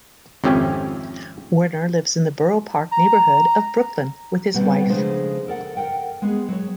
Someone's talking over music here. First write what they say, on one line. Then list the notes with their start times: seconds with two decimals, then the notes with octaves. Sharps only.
Werner lives in the Borough Park neighborhood of Brooklyn with his wife.
0.44 G#1 F2 C#4 G4 E5 G#5
2.92 A#5
4.54 B2 D3 G3 B3 C4
4.89 C#3 F3 G#3 A3 D4 C5
5.47 A4 A#4 D5 F#5
5.77 A#4 F#5 G5
6.22 G#3 B3 G#4
6.48 F#3 C#5